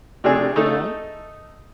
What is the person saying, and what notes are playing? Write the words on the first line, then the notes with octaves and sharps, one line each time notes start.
You know?
C3 A3 D4 G#4
A3 D#4 A4